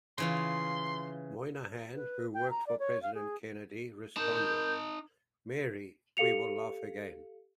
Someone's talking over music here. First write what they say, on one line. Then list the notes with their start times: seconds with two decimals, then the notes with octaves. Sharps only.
Moynihan, who worked for President Kennedy responded, Mary, we will laugh again.
0.18 C#3 E3 F4 C6
1.95 B4
2.34 G5
2.50 A#5
2.67 D5
2.79 C#5
3.02 F5
3.14 G#4
4.17 D#4 A#4 A5 G6
6.17 G4 A4 F5 C#7 F7